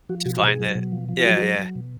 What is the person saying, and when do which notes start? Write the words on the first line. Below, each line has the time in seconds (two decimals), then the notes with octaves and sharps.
To find it. Yeah, yeah.
0.09 F3 F#4
0.25 B2 F#4
0.37 F#4
0.42 B2
0.48 G#4
0.60 F#3
0.75 B2
0.92 F3
1.09 F3
1.19 F4
1.26 F#3 F#4
1.37 F#4
1.42 F#3 G#4
1.59 F#3
1.75 B2